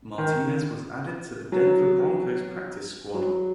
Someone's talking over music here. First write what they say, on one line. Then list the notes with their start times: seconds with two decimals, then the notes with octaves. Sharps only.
Martinez was added to the Denver Broncos Practice Squad.
0.18 D#3
1.52 F#3
3.14 F#3